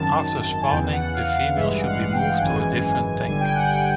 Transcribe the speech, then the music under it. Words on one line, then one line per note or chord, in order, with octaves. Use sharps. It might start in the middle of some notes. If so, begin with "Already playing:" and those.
After spawning the female should be moved to a different tank.
Already playing: G#1 F#2 D#3 A5
A5
G#5
E2 C#3 E3 G5
F#5
F5
A1 G2 E3 G#3 E5
F#5
F5
G5
G#1 F#2 C#3 E3 G#3 G#5
G1 G2 D3 G3 G#5
G5
F#5
G5